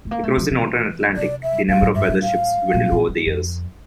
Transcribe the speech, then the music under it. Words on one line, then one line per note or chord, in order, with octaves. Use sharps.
Across the northern Atlantic, the number of weather ships dwindled over the years.
A3
A#3
A3
F3
E3
C3 D5
E5
A2 F5
A2
G2 E5
A2
F5
A#2
A#2
G2
F2